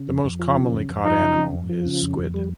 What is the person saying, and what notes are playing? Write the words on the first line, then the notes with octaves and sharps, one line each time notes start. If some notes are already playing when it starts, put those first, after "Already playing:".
The most commonly caught animal is squid.
Already playing: C#3
F2
F2
F3
C#3
F2
F2
F3 D#4
C#3
F2
F2
F3
C#3
F2
F2
G3